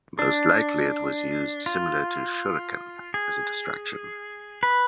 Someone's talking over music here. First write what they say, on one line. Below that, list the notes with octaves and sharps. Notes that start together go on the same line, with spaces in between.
Most likely, it was used similar to "shuriken", as a distraction.
D4
F4
G#4
B4